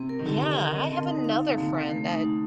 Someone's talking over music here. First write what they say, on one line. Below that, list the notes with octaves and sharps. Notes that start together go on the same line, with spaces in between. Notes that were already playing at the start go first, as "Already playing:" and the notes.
Yeah, I have another friend that
Already playing: C3 C4
A#4
D#3
D3 G4
D#5
A#4
C4
D3 C4
D#4
F5
F5
C3
D3 A#3
A#3
A3
D#4
A3